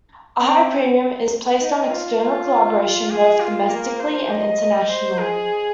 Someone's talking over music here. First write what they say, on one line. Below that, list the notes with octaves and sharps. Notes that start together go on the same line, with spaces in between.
A high premium is placed on external collaboration both domestically and internationally.
C4
D#4
F4
F4
G#4
F4
A#3
C5
D#5
C5
G#4